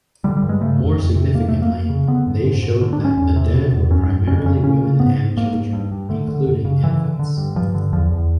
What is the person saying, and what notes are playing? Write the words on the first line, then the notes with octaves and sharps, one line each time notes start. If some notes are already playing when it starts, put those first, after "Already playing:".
More significantly, they showed that the dead were primarily women and children, including infants.
D3 G3
G3
G2
G#3
C#3 A3
F2
F2
C3
F2 A#3
F2 A3
A#3
F2
C#3
D3 B3
F#2
G#2
G#2
D3
D4
G2
C#4
E2
C3
B2
E2
F#2 C#4
F#2
F2 C#4
C#3 C#4
C#3 C#4
C#3
G#2 B3
G#2
G#2 A#3
G#2
G2
G2
D3 A3
D3
F#2
C#3
D3 E3
D3
D3
G2
G2 F3
D3
E2 F3
E2